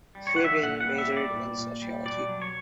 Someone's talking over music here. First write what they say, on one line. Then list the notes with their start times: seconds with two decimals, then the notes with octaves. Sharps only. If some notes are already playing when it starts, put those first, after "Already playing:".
Fabian majored in sociology.
0.15 G3
0.27 C#5
0.36 E3 F#5
0.44 E5
0.62 A#2 F#5
0.80 F#5
0.86 G3
0.98 E5
1.10 G3
1.17 D5
1.33 A#2
1.58 A#2
1.82 G3
2.05 B2 D5
2.29 F#3
2.42 C#5